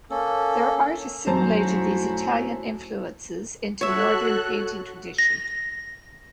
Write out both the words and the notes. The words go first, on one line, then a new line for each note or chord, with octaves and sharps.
Their art assimilated these Italian influences into the Northern painting tradition.
A#3 C#4 A4
B1 F#2 A3 E4 F#4 C5 A5 A#5
F#4 A4 C#5 E5 F#6
A#6